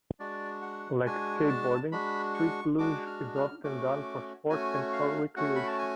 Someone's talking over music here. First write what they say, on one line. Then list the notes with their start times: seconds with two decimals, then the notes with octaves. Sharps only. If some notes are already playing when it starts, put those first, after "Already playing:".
Like skateboarding, street luge is often done for sport and for recreation.
0.19 G#3 D4 F#4 D5
0.62 F#5
1.06 G#3 D4 F#4 G#5
1.49 A5
1.92 G#3 D4 F#4 B5
2.34 C#6
2.78 G#3 D4 F#4 D6
3.07 F6
3.35 F6
3.64 A3 C#4 F#4 D6
4.49 A3 C#4 F#4 G#5
4.93 F5
5.36 A3 C#4 F#4 F#5
5.56 B5
5.67 A5
5.79 G#5